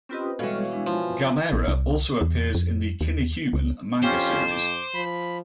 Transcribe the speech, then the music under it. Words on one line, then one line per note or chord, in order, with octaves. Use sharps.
Gamera also appears in the "Kinnikuman" manga series.
C4 C#4 F4 G4 B4 D#5
B2 E3 G3 G#3 A4 C#5 F5
G#3 D4 E4
F3 G#5
A#1
C2
E2
F2
D#2
C#2
F2 C#4 F4 G4 C5
D6
F3 B5